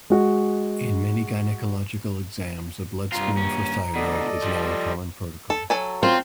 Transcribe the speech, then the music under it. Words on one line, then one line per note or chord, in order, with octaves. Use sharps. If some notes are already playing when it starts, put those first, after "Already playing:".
In many gynecological exams a blood screen for thyroid is now a common protocol.
G#3 F#4
C2 G2 F4 A#5
D#2 C#4
D2 B2 A4 D5 D#5
F3 G3
A4
F#3 A4 G#5
C4 F4